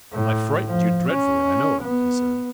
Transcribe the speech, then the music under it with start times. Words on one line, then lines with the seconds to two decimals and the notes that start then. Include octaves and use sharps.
"I frightened you dreadfully, I know," he said.
0.12 A2
0.68 F3
1.10 C#4
1.82 B3